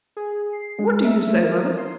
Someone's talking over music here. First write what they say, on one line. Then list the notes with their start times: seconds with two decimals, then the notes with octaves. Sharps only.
"What do you say, mother?"
0.17 G#4
0.53 C7
0.79 G#3
1.04 E5
1.27 A3
1.44 A#4
1.78 C6